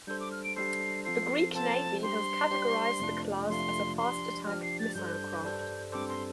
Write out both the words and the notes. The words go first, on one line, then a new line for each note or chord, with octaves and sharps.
The Greek Navy has categorised the class as fast attack missile craft.
G3 D4 A4 C5 G6
D6
F6
D7
G3 D4 A4 C5 C7
F3 C4 F4 A4 C5 C7
F3 C4 F4 A4 C5 A5
G3 D4 G4 C5 C6
G3 D4 G4 C5
F2 C3 A3 D4 F4
F2 C3 A3 D4 F4 C6
F3 D4 G4 C6
F3 D4 G4 F6
C7
A6
G2 G3 D4 A4 C5 G6
G2 G3 D4 A4 C5
G2 G3 C4 A4 C5 D6
C6